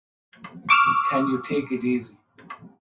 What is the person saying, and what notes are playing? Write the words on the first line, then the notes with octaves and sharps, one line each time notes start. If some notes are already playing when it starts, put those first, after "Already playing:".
Can you take it easy?
C#6 D6 E6 F6